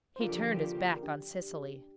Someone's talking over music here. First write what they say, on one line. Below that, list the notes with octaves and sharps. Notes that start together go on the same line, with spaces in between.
He turned his back on Cecily.
C5
D3 F3 A#3 F4 G4 A#4
A#4
D4 G4